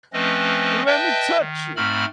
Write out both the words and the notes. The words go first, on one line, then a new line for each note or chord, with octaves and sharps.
Let me touch you!
F3 A3 C4 C#4 B4 D#5
B4 D#5 E5 G5 A5 G6
D#3
G#2 A3 C4 B5 F6